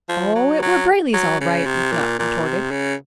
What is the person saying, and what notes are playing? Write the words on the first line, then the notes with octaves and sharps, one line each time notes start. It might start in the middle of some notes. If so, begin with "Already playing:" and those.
"Oh, it were Brayley's, all right," McNutt retorted.
F3
F#3
F#3
F#3
C#3
C3
A#2
A#2
C3
C#3